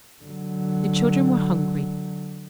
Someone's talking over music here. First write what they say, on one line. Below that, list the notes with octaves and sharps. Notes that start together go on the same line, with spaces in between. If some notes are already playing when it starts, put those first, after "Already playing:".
The children were hungry.
D3 F#3